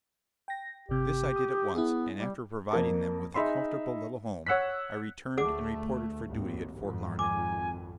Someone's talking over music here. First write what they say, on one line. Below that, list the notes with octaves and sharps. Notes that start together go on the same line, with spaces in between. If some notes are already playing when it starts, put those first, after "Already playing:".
This I did at once, and after providing them with a comfortable little home, I returned and reported for duty at Fort Larned.
G5 A#6
G1 C3 G4
D#6
B3 E4 G#4
G3
F2 A#3 A5
D#4 G#4 E5 B5 C6
C#5 F#5 E6 F#6 B6
D2 A3 G#4 F#5 D6
G#1 D#2
G#1 F2
G#5 D6